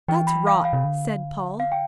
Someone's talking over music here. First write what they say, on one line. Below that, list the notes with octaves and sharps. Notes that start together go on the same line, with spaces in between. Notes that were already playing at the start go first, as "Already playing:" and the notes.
"That's rot," said Paul.
E3 G5
B5
F5
F5
C3
D3
F5
G5